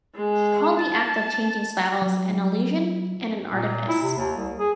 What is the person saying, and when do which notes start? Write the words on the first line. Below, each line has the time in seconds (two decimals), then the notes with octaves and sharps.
He called the act of changing styles an "illusion" and an "artifice".
0.16 G#3
0.80 A5
2.02 F#3
3.51 A#2
3.89 E4
4.02 C3
4.17 D#2
4.37 C2
4.59 G#4